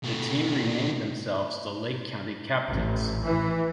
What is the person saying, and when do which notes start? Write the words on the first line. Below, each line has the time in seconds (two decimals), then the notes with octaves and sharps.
The team renamed themselves the Lake County Captains.
0.04 B2 A3
2.70 A1
3.24 E3